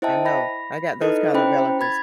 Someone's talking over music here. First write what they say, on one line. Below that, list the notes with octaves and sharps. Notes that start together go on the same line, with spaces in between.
I know. I got those kind of relatives
E4 C5 D#5 E5 G5 A5
B5 A#6
D#4 E4 A4 B4 D#5
C#4 E4 C5 G5 B5
B5 G#6 A6